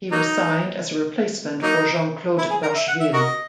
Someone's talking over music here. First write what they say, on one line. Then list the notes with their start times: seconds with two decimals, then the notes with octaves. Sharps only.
He was signed as a replacement for Jean-Claude Darcheville.
0.12 F#3 A#3 D#4
1.62 F#3 A#3 D#4
2.38 E4
2.50 G#4
2.63 A#4
2.75 E5
2.88 F#5
3.00 E5
3.13 F#4 A#4 D#5